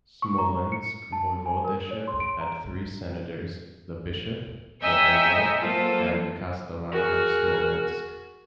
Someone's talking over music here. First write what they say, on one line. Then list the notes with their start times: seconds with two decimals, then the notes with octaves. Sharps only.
Smolensk Voivodeship had three senators: the Bishop, the Voivode, and the Castellan of Smolensk.
0.22 C#6
0.38 A#5
0.72 C#7
1.12 A5
1.46 G#5
1.64 A#4
1.91 C#5
2.08 C6
2.20 D7
2.41 A#5
4.81 C#5 D#5 E5 G5 G#5 A#5
5.59 F#3 A#3 F4 A4 C5
6.93 F#4 G#4 A#4